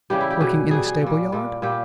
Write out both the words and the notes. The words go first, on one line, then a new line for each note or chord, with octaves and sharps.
"Working in a stable-yard?"
C#3 E3 G3 G4
E4
G4
B2 G3 G#4
B2 G3 G#4
G#4
A#2 G3
A#2 G3
A#2 G3 G4